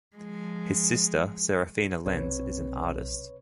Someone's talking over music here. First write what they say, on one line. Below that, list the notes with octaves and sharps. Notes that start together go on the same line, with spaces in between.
His sister Seraphina Lenz is an artist.
F3 G#3
B1 C3 C4 B4 C#5